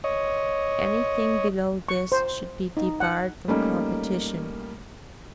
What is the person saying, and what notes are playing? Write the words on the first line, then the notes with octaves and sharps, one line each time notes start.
Anything below this should be debarred from competition.
C#5 D#5
C#6
C5
D#4
F#5
G3 A3 A#3 C#4 D#4